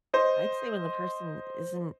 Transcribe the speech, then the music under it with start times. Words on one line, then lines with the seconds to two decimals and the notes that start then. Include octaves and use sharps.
I'd say when the person isn't
0.14 C5 D#5